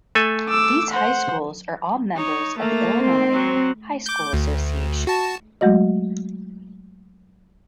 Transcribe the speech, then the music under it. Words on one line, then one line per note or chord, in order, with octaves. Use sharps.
These high schools are all members of the Illinois High School Association.
A3 A4 G#5
D6 E6
C5 F#5
D#4 C#5
A3 A#3
C4
F#3
D6 G6
D2
F#4 A5
F#3 G#3 A3 F#4 D#5